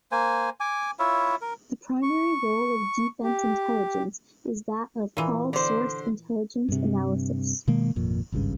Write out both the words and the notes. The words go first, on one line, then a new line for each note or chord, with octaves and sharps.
The primary role of Defence Intelligence is that of 'all-source' intelligence analysis.
A#3 C5 G#5
G#5 D6
E4 F4 C#5 E5
A#4
C#6
G4
A#2 E3
D3 C5
G2 C3
B2 D#3 G#3 A#3
G#1 F2 A#2
G#1 C#2 G2 C#3